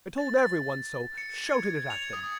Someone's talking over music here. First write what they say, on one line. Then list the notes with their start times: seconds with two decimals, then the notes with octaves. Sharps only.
I told every one so, shouted it at them.
0.18 A6
1.18 C#7
1.46 G#6
1.65 G#6
1.90 F7
2.13 D#6